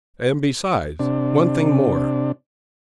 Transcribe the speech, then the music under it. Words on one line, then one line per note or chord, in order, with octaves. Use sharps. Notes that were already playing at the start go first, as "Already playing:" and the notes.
And besides--one thing more!
C3 D4